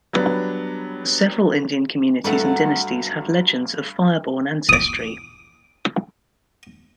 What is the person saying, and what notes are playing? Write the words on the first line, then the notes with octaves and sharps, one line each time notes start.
Several Indian communities and dynasties have legends of fire-born ancestry.
F#3 G3 B3 D4
G2 F#3 A3 A4 F#5
D6 D#6